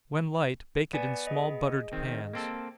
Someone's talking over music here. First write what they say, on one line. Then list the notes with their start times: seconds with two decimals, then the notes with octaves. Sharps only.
When light, bake it in small buttered pans.
0.93 B3 B4 D5 G#5
1.27 G#4 D#5
1.93 D#3 C4
2.33 A#3 C4 A4